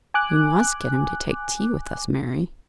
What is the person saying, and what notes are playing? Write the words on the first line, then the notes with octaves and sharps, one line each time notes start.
"You must get him to take tea with us, Mary."
G#5 D6 F#6